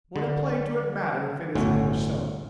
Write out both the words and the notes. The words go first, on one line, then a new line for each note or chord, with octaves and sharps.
What a plague do it matter if it is an English settlement?
D3
G1 D2 A2 C#4 F#4